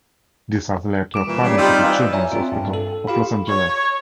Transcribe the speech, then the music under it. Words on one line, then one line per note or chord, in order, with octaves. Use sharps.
This has led to a partnership with Children's Hospital of Los Angeles.
G3 D6 D7 E7
A#2 E3
C#3 G3 D5 B6 D7
G3 C4 D#4 F4 E6 D#7
E3
C#5 D5 E5 G#5 A#5
C4 F4
G2
A4
F4 G4 F5 B5
C#5